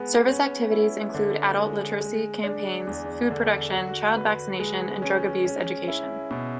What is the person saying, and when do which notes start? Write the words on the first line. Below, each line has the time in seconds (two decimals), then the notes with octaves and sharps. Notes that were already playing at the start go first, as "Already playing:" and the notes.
Service activities include adult literacy campaigns, food production, child vaccination and drug abuse education.
Already playing: G#3 B3
0.28 C#4
0.71 E4
1.14 D3
1.58 G#3
2.00 G#3
2.44 D4
2.87 E2
3.30 D3
3.72 F#4
4.16 B4
4.60 G#3
5.02 C#4
5.45 C#4
5.88 E4
6.31 B2